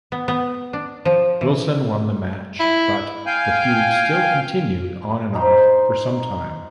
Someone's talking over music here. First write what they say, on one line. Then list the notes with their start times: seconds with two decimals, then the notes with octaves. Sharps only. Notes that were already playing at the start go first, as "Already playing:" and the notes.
Wilson won the match, but the feud still continued on-and-off for some time.
0.12 B3
0.28 B3
0.73 D4
1.05 F3
1.41 E3
2.59 E4
3.26 F5 G5 G#5 G6
5.35 D#4 C5 B5 C6